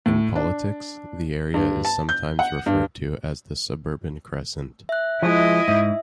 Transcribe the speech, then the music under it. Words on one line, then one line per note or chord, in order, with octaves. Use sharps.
In politics, the area is sometimes referred to as the "suburban crescent".
A2
D4
G2
A5
G6
F#5
G2
E5 F#6
F3 G#3 E4 D#5
G#2 E5